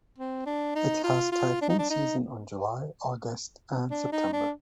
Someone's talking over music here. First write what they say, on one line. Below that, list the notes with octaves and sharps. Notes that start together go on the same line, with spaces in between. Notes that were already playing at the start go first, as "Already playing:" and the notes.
It has typhoon season on July, August and September.
C4
D4
D#4
F4
F4
D4
D#4
D4
D#4
D4
D#4
D4